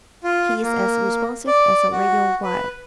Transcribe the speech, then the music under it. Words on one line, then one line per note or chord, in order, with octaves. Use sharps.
He is as responsive as a radio wire.
F4
A#3
D5
F#4
B4